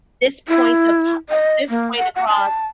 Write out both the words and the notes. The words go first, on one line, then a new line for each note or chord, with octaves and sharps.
this point of pa this point across
E4
D#5
A#3
F#5
F#5
A5